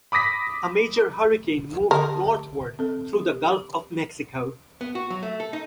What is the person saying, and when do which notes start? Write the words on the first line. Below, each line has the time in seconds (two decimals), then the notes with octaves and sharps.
A major hurricane moved northward through the Gulf of Mexico.
0.12 B5 D6 D#6 A#6 B6
1.91 D3 G4 A#4 A5
2.79 C4 A4
3.13 G4
4.81 B3
4.95 F#4
5.10 F#3
5.23 A3
5.40 A4
5.53 D#4